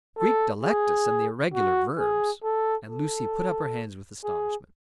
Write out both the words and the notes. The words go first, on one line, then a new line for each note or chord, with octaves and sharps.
"Greek Delectus and the irregular verbs!" And Lucy put up her hands with astonishment.
A4
G#4
F#4
G#4
A4
A4
G#4